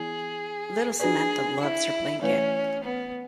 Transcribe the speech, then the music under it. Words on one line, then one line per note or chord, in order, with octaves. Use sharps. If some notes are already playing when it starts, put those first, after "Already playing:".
Little Samantha loves her blanket.
Already playing: E3 B3 E4 G#4
D4 F#4 G#4 B4 D5
E4
E3 A3 C#4 E4 B4 D5
B3